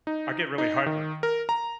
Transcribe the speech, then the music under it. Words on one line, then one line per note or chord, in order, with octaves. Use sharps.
I get really hyper.
D#4
D#4
D#3
A#4
A#5